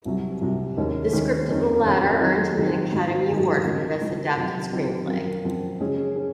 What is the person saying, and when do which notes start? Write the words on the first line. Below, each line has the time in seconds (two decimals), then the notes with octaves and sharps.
The script of the latter earned him an Academy Award for Best Adapted Screenplay.
0.05 C2 C3 F#3
0.41 C2 C3 F#3
0.77 D#2 D#3 G#3 C#4
1.13 D#2 D#3 G#3 C#4
1.49 F2 D#3 A#3 C#4
1.85 F2 D#3 A#3 C#4
2.21 D#3 F#3 C4 D#4
2.57 D#3 F#3 C4 D#4
2.92 G#2 D#3 F#3
3.28 G#2 D#3 F#3
3.64 C#3 F3 G#3 D#4 A#4
4.00 C#3 F3 G#3 D#4 A#4
4.36 C3 D#3 F#3 C4 F4
4.72 C3 D#3 F#3 C4 F4
5.08 F#2 F3 C4 F#4 A#4
5.44 F#2 F3 C4 F#4 A#4
5.80 C#3 G#3 C#4 G#4
6.16 C#4 G#4